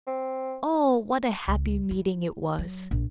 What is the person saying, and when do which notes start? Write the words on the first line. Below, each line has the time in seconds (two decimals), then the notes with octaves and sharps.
Oh, what a happy meeting it was!
0.07 C4
1.48 C#2
1.91 E4
2.58 F#3
2.91 A#1